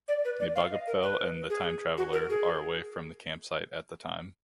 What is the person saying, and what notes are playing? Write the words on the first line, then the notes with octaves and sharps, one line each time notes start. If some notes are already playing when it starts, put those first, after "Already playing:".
Nebogipfel and the Time Traveller are away from the campsite at the time.
D5
B4
D5
F5
D#5
A#4
B4
G#4
F#4
A#4
G#4